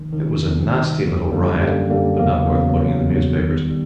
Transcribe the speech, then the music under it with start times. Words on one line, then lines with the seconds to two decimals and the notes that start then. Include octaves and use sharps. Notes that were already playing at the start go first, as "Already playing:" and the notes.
It was a nasty little riot, but not worth putting in the newspapers.
Already playing: C2 C3 D#3
0.12 C2 C3 D#3
0.42 C2 C3 D#3
0.70 C2 C3 D#3
1.00 F#2 D3 G3 A#3
1.31 F#2 D3 G3 A#3
1.60 F#2 D3 G3 A#3
1.90 F#2 D3 G3 A#3
2.19 E2 C#3 F#3 A#3
2.49 E2 C#3 F#3 A#3
2.79 E2 C#3 F#3 A#3
3.08 E2 C#3 F#3 A#3
3.38 D#2 D#3 G3 B3
3.69 D#3 G3